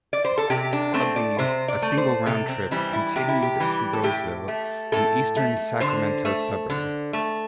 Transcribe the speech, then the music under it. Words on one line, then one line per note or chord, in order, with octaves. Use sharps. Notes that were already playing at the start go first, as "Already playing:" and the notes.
Of these, a single round-trip continued to Roseville, an eastern Sacramento suburb.
D5
C5
A4
C3 G4
D4
A3 C4
D5
C3 C5
D5
A3
C5
C3 A4
C4
E3 G3 C4
E4
C3 G4
E4
G4
E3 G3
A4
A2 G4
A3
A2 A4
A3
D3 C5
A3
D3
A3